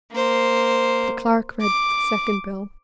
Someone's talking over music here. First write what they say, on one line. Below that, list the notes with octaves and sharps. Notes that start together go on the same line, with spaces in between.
The Clerk read the second bill.
A#3 C5
D6